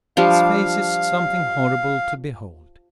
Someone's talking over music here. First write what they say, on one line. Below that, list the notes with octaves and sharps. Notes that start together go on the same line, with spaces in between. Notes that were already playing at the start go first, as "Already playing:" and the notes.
His face is something horrible to behold.
F3 G3 D4 F5